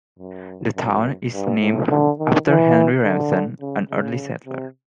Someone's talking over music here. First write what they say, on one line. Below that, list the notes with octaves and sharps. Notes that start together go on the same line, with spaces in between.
The town is named after Henry Remsen, an early settler.
F#2
F#2
G2
A2
D3
D#3
E3
D3
C#3
C#3
C3